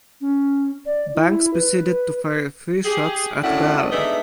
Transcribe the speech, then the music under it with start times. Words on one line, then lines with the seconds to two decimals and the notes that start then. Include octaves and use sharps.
Banks proceeded to fire three shots at Bell.
0.21 C#4
0.86 D5
1.15 E4
1.53 B4
2.85 G4 G#4
3.42 F#2 A2 A3 D4 E4 F#5
3.91 G#2 A3 B3 D4 D#5 E5